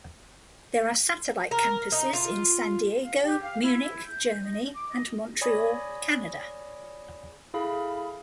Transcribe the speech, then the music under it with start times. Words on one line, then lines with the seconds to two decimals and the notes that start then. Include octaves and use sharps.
There are satellite campuses in San Diego, Munich, Germany and Montreal, Canada.
1.51 A#4
1.92 D#4
2.13 F4
3.03 F5
3.22 G4
3.42 F5
3.62 E4
4.04 G6
4.43 D#5
4.73 D6
4.90 D#5
5.41 C#5 D5 G#5 B5 D#6 A#6
7.54 E4 G#4 A4 F5 B5